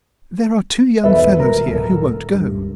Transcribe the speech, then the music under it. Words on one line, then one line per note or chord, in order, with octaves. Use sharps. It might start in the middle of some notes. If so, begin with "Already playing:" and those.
"There are two young fellows here who won't go."
E2 G#2 B2 A4 B4 E5
D#1 A#4
D1 A4 A#4
C#2 G2